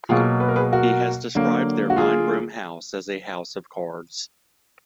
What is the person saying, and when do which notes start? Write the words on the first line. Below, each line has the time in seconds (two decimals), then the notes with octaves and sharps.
He has described their nine-room house as a house of cards.
0.09 B2 F#3 A#3 F4 G#4
0.40 B4
0.48 A#4
0.56 G#4 B4
0.72 F#4 A#4
1.35 D3 F#3 A#3
1.90 F#4
1.96 F4 G#4